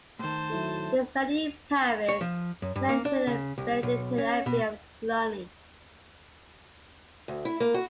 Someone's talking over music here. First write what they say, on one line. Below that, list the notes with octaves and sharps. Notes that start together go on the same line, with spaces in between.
He studied in Paris and entered the Benedictine Abbey of Cluny.
A2 D#3 C5 A5
F#3 E4 A4
C#5
F3
F#2
G2
A#3
D4
C#3
C2
B1
C#4
B2
D2
E4
A#3
F#4